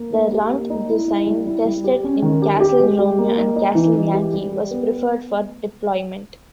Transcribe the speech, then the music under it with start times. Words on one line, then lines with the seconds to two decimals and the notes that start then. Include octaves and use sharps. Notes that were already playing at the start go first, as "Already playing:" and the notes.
The "Runt" design tested in Castle Romeo and Castle Yankee was preferred for deployment.
Already playing: A#3
0.13 D#4
0.32 G4
0.51 A#3
0.70 D#4
0.89 E4
1.08 E4
1.27 G3
1.47 E4
1.65 G3
1.84 G4
2.04 C#4
2.22 D#3
2.42 G4
2.60 G4
2.80 G#3
2.99 G4
3.19 A#3
3.38 D#4
3.56 D#4
3.75 E3
3.95 E3
4.13 G4
4.33 G3
4.52 G4
4.71 B3